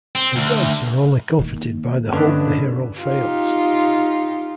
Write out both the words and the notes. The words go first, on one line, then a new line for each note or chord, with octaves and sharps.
The gods are only comforted by the hope the hero fails.
C4
D2
D#3 A#3
G2 D3 C#4 D4 B4 D#5
D#4 F4 G4